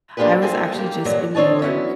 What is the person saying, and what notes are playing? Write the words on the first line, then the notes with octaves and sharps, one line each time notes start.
I was actually just in New York,
A#3 D4 F4 G4 G#4 B4
A#3 C4 E4 G#4 A4
A#3 G4
G2 A#2 D3 D#3 F#3
C4 D4 C#5 D#5 A5
F#3 B3 C#4 E4